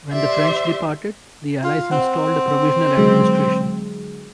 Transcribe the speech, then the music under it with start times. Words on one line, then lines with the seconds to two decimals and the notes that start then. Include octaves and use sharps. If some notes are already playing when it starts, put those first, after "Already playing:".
When the French departed, the Allies installed a provisional administration.
0.11 G4 C5 D5 E5 C6
1.63 F4
1.91 C4 F#5
2.97 D3 F#3 G#3